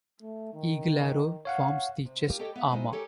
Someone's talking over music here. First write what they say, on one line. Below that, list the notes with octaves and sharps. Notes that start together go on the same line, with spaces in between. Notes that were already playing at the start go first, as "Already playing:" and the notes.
Eaglearrow forms the chest armor.
A3
D#3
C#5 F5 F#5
C3
A#3 F4 G4
G4 A4 C#5 D#5 G5
B3 E5 F5
F3 G#3 D#4 E4
G4 A4 A#4 C#5 G#5